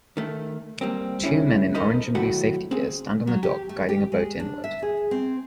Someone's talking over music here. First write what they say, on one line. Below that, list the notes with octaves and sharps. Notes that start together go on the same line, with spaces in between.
Two men in orange and blue safety gear stand on the dock guiding a boat inward.
D#3 A3
G3 A#3 C4
G2 C#3 G3 C#4 E4
D#4 A4 A#4 C5 D#5 B5
B1 A2 D#3 F#4 A4 B5
C4 G#4
F#3
G4
A3
G4
G#3
D4
E5
G#4
C4